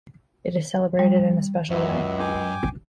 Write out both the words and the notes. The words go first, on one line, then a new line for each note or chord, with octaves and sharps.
It is celebrated in a special way.
G3
C#2 F#2 F#4 E5
G5 G#5 D6